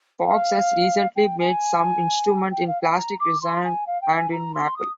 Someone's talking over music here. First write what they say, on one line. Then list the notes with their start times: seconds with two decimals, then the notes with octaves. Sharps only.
Fox has recently made some instruments in plastic resin and in maple.
0.26 F5
1.16 G5
1.39 G#5
2.51 G5
2.67 F5
2.82 G5
2.89 G#5
2.96 A#5
3.20 D6
3.41 C6
3.64 G#5
3.86 F5
4.01 G5
4.16 G#5
4.31 A#5
4.54 C6
4.76 D#6